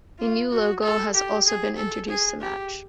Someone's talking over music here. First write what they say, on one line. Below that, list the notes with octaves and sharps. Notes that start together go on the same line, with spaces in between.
A new logo has also been introduced to match.
F4
F#4
A4
G4
G#4
A4
G#4
G4